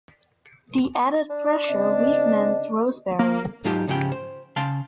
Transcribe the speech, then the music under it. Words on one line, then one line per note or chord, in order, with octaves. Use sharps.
The added pressure weakened Rosebery.
D4
C#3 C4 D#5
A#3
G#2 F#3 D#4 F4 G4 A5
C#2 G#2 C#3 F3 G4 G5
C5
C#3 F5 G5 A5 C6